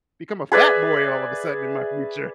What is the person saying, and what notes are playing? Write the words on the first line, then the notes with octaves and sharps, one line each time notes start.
become a fat boy all of a sudden in my future.
G#4 B4 D5 E5